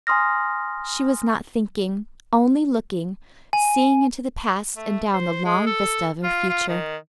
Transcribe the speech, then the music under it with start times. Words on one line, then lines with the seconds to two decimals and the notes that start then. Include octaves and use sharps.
She was not thinking, only looking, seeing into the past and down the long vista of her future.
0.07 G#5 A#5 C6 D#6 F6 A#6
3.53 G#5
4.76 A3
5.13 C5
5.45 G#3
5.66 A4
6.24 F4
6.49 F4
6.69 D#3